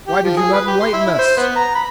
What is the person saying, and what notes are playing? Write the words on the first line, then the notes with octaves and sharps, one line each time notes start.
Why did you not enlighten us?
G4
F3
G#4
B4
G4
C6
E4
E4
C5
B3
A#5
B5